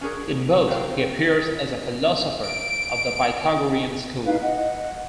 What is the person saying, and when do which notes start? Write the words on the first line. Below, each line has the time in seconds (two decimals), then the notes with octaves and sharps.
In both, he appears as a philosopher of the Pythagorean school.
0.01 C#4 D4 F#4 G#4 A#4
0.67 F#4 G4 A#4 C5 F5
2.43 D7
4.25 D#4 E4 B4 F5
4.42 D#5 F#5